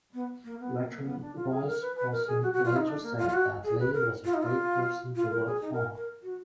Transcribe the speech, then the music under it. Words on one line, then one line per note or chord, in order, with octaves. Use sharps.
Veteran Roy Sproson later said that Lee was a great person to work for.
B3
A#3
B3
A#3
B3
D4
F4
G#4
A#4
B4
B4
A#4
G#4
F#4
F#4
F4
D#4
D4
A#3
F4
F4
F#4
G#4
B4
A#4
F4
D#4
F4
F4
A#4
G#4
D#4
A#4
A#4
F#4